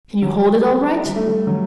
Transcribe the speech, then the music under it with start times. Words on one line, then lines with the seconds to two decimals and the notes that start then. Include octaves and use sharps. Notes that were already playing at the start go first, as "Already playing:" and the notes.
"Can you hold it all right?"
0.22 F#3
1.06 G3
1.16 A3
1.26 G3
1.47 F#3